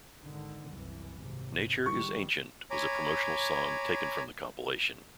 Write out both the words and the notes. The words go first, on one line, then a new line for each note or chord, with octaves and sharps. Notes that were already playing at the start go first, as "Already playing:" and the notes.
"Nature Is Ancient" was a promotional song taken from the compilation.
G#1 D3 D#3
F#1 C2 E3
G#1 C3
D#3 G3 G#3 C#6
C#5 G#5 A#5 B5 D6